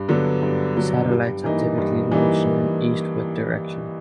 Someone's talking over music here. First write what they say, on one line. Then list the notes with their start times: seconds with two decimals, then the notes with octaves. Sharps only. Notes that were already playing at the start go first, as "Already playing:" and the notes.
Satellites are typically launched in an eastward direction.
Already playing: G2
0.09 D3 F#3 B3
0.43 G2
0.76 D3 F#3 B3
1.09 G2
1.44 E3 G3 A#3 D#4
1.78 G2
2.12 E3 G3 A#3 D#4